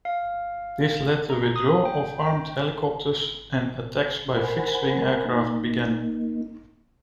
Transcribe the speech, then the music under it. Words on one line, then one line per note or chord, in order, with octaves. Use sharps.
This led the withdrawal of armed helicopters and attacks by fixed-wing aircraft began.
F5
A#5
D#6
G5
G5
A#4 C5 F#5 G#5 B5
A#3 D#4